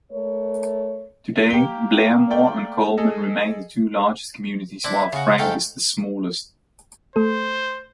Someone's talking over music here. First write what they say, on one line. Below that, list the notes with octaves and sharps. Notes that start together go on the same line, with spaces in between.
Today, Blairmore and Coleman remain the two largest communities while Frank is the smallest.
A3 A#4 C#5
A#3 G4 G7
A3 D5 G5
G#4 A4 D#5
C4 D4 E4
C#3 F4 F#4
F2 G#2 A3 A4 F5 G5
A3 A4 C5